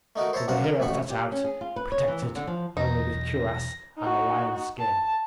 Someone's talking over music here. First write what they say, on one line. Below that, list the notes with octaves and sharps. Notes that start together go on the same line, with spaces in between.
So the hero set out, protected only with cuirass and the lion skin.
A3 D#4 F#4 A#4
C5 C#5 E5 A5 A#5
C2 F#2 F4 F#5 A#5
A#4
A1 F2 A2 F#4 B5 C#6
G4
C#4
G#4
F4
B4
C#5
E3
C3
D3
F3
B1 E2 D#4 A#6
D#4 F#4
A5